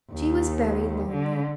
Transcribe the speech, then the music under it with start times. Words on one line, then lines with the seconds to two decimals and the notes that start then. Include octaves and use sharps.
She was very lonely.
0.11 D#2
1.11 D3